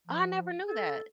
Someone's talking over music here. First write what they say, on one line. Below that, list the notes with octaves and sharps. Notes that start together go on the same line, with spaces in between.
I never knew that.
F3
A4